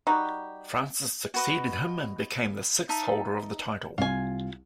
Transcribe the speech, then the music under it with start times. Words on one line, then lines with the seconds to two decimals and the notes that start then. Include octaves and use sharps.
Frances succeeded him and became the sixth holder of the title.
0.07 G3 D#4 F#4 G4
1.34 F#4 B4 D#5
2.89 D#4 E5 A5
3.98 C2 F4 G#5